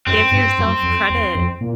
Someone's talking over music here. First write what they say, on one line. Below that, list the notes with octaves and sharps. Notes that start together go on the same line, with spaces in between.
Give yourself credit,
F#2 C4
G2
F#2
F2
E2
F2
A#2